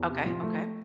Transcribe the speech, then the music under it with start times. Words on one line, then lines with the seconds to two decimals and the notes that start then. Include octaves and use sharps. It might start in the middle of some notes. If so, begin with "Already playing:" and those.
Okay, okay.
Already playing: E2
0.09 C3
0.26 F3
0.43 A3